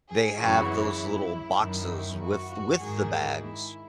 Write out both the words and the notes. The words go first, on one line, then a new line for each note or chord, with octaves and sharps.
they have those little boxes with with the bags
G#4
F#2 C#3 E3 F#4
E4
F#2 D#3
E4
F#4
F#4
G#2 D#3 G#4
E4